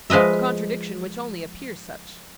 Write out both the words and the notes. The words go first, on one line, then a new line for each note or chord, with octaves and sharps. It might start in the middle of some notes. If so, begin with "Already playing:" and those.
A contradiction which only appears such.
F3 G#3 B4 D#5 E5